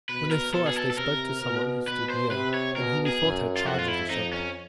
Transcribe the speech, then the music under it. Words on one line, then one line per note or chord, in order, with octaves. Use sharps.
When they saw us they spoke to some one who stood near, and whom we thought had charge of the ship.
B2 B4
A#4
B2 A4
G#4
A4
A4
C3 A#4
B2
B2 B4
C5
C3 B4
C#5
B2 A#4
G#4
F#2
F4
F2 F#4
F4
E4
F2 D#4
C#4